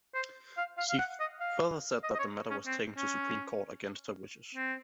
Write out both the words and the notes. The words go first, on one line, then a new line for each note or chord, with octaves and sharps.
She further said that the matter was taken to Supreme Court against her wishes.
C5
F5
F5
F5
F#5
D#5
F5
D#5
D#5
C#5
C#4
C4
C#4
C4